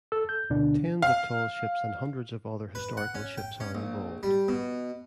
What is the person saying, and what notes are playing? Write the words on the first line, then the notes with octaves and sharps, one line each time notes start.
Tens of tall ships and hundreds of other historical ships are involved.
A4 E6
G6
D2 B2 D3 D4
F5
B4
F#5
C#4
G5
C#4
A#1
G3
B2